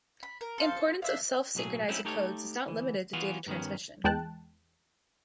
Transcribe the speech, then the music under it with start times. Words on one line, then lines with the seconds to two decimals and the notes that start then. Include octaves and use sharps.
Importance of self-synchronizing codes is not limited to data transmission.
0.23 B5
0.41 A#4
0.58 A4 C5 F5
1.02 D4 E5 F5
1.55 B1 A2 F#3 G#4
1.88 F#3 A3 C4 C#4 D#4 E4
2.05 A3 D#4 G4 A4 C#5
2.66 D2 E3
3.13 E3 B3 F4 F#4 G#4
3.46 G2 D#3 B3 C#4
4.04 E2 G#3 G5 A5 F#6